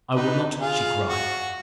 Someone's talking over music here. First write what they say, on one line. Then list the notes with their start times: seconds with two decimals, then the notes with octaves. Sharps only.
"I will not!" she cried.
0.15 D3 D#4 B4
0.59 F4 G#4 F5
1.07 F#4